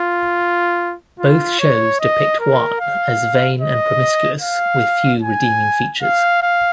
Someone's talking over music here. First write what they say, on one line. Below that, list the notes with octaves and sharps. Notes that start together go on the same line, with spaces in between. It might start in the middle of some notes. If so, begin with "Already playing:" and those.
Both shows depict Juan as vain and promiscuous, with few redeeming features.
Already playing: F4
F4
C#5
D#5
A#4
F5
D#5
F5
G#5
F5
F5